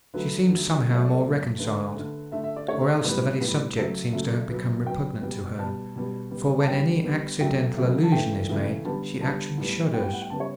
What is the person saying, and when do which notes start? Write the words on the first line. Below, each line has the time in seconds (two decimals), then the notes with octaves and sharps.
She seems somehow more reconciled; or else the very subject seems to have become repugnant to her, for when any accidental allusion is made she actually shudders.
0.14 D3 F#3 A3 B4
0.50 D3 F#3 A3
0.87 B2 F#3 A3
0.95 C#5
1.05 D5
1.13 A4
1.22 B2 F#3 A3
1.59 D3 A3 B4
1.95 D3 A3
2.32 D3 A3 E5
2.44 E5
2.56 D5
2.68 D3 A3 C#5
3.04 A2 G3 B3 B4
3.40 A2 G3 B3
3.76 C#3 F#3 A3 A4
4.13 C#3 F#3 A3 E5
4.49 B2 F#3 B3
4.86 B2 F#3 B3 G5
5.22 B2 G3 B3
5.59 B2 G3 B3 A5
5.95 B2 G3 B3
6.31 B2 G3 B3
6.59 A5
6.68 D3 G3 B3 G5
7.04 D3 G3 B3
7.40 C#3 F#3 A3 G5
7.77 C#3 F#3 A3
8.03 A5
8.12 C#3 E3 A3 G5
8.49 C#3 E3 A3
8.85 D3 G3 B3 A5
9.21 D3 G3 B3 A5
9.58 A2 G3 B3
9.94 A2 G3 B3 G5
10.04 G5
10.13 F#5
10.22 G5
10.30 C#3 G3 B3 A5
10.40 C#5